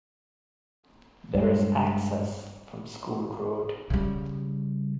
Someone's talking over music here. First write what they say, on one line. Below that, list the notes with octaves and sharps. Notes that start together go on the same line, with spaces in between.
There is access from School Road.
G2 G3 G#3
C#3 G3